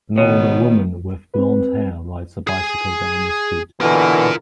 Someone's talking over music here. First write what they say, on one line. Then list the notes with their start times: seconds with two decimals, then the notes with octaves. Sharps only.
An older woman with blondhair rides a bicycle down the street.
0.18 B2 D#3 B3 C#5
1.34 C4 B4
2.47 G#4 G#5
3.81 B2 D3 E3 F4 A#4